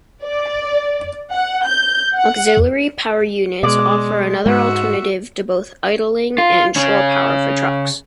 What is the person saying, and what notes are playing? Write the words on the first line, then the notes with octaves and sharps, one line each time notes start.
Auxiliary power units offer another alternative to both idling and shore power for trucks.
D5
F#5
G6
F#5
B2 G#3 D5
G#2 G#3 F#4 E5
F4
C#3 C#4